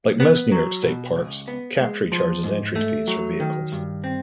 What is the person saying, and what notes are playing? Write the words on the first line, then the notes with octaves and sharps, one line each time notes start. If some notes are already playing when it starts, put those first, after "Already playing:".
Like most New York State Parks, Captree charges entry fees for vehicles.
B3
F#3
B2
C#2
B3
G#3
F3
G#2
A3
F#3
D#3
G2
C4